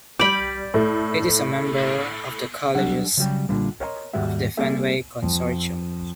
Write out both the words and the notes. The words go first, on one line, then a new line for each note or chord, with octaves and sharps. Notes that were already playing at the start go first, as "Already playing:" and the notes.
It is a member of the Colleges of the Fenway consortium.
G3 D5 B5 G6
A2 A3
F#3 G3 D4 A4 F#5
C#3 F#3 G3 G4
A#2 D3 G3
A#4 C#5 D#5 F#5 A#5 C6
D#2 G#2 G3 G#3 F#4 E5
G3 A#3 C4 G#4 A4 E5
F2